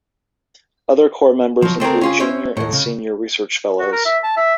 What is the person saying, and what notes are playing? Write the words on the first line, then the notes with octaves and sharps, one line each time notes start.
Other core members include Junior and Senior Research Fellows.
F3 F#3
A3 C4 G#4 A#4
C#4 F4 G#4
C#4 E4 C5 C#5
D#2 A2
C#3
F#4
A#4
E5
A5
E5